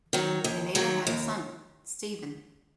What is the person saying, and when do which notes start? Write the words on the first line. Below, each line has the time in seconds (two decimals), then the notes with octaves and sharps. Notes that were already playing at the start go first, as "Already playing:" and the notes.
They later had a son, Steven.
0.13 D#3 F#3
0.44 D#2
0.75 D#3 F#3
1.07 D#2